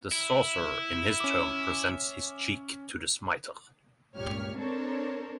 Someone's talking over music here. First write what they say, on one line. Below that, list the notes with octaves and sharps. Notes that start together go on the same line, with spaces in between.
The sorcerer in his turn presents his cheek to the smiter.
E4 E5
C#4 D6
C#2 G2 A#2 G4 C#5 F6
C4 D4 A4 A#4 C5 C#5